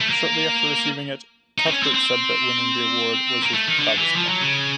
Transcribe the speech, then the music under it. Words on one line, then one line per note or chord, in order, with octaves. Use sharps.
Shortly after receiving it, Cuthbert said that winning the award was his proudest moment.
A3
A#3
D#4
C4
C#4
C4
C4
A#3
A3
D#3
D3
E3
F3
F#3
C#3